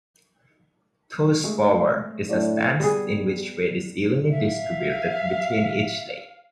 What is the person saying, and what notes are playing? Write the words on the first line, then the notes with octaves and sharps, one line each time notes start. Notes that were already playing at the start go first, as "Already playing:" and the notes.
Toes Forward is a stance in which weight is evenly distributed between each leg.
G#3 A3
A2 D4 C#5 D5
G3 B3 G#4
E5 F5